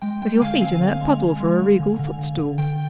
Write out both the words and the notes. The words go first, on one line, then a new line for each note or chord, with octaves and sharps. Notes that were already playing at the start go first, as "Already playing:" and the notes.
'With your feet in that puddle for a regal footstool!
G#3 G5
G#3 G5
D3 F5 G#5
C4 F5 G#5
D3
G#3
G#3
G#3
D3
D3
D3
D3
D3
D3 G5